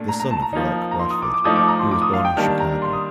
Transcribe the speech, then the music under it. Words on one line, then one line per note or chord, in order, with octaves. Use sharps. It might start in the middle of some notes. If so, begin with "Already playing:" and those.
The son of Roark Bradford, he was born in Chicago.
Already playing: A#2 A3 D4
A#5
A#5
A5
A#5
F3 A#3 D#4
A#5
C6
D#6
D6
D6
F3 A3 D#4 D#6
D6
A#5
C6
D6
D#6
F5
G5
D#3 G3 A#3 D4 A5
A#5
C6
D#6